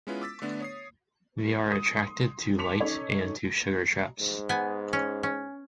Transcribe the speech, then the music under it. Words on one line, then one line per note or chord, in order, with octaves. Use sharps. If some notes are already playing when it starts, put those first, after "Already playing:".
They are attracted to light and to sugar traps.
G#3 B3 C#4 E4 F4 B4
D6 E6 A6 B6
D3 A3 B3 D4
C#5 D#6 C7
D#6
C6
A5 C6 D6 B6 C#7 F7
C#4 D#4 A4 C#5
G#2
B3 G#5
C#4
C#4